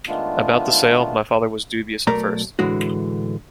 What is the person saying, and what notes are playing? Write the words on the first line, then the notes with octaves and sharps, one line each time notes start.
About the sale, my father was dubious at first.
D#3 G#3 A3 B3 D4 F4
B1 A3 A#4 D5 A#5
A2 D3 E3 G#3 F#4